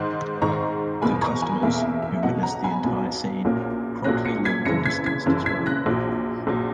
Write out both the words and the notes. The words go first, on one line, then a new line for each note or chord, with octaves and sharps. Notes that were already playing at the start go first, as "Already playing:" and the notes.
The customers, who witness the entire scene, promptly leave in disgust as well.
Already playing: G#2 D#3 G#3
G#2 D#3 G#3 A#5 C#6
E2 B2 A#3 G#5 B5
A#5 C#6
G#5 B5
E2 B2 A#3 E5
E5
E5
B1 B2 F#3 D#5 F#5
F#5 A#5
G#5 B5
B1 B2 F#3
A#1 A#2 F#3 A#3 C#4
A#1 A#2 F#3 A#3 C#4 F#6 A#6
A#6 C#7
G#6 B6
F#1 F#2 C#3 E3 A#6 C#7
G#6 B6
G#6 B6
F#1 F#2 C#3 E3
G#6 B6
F#6 A#6
A#1 A#2 F#3
A#1 A#2 F#3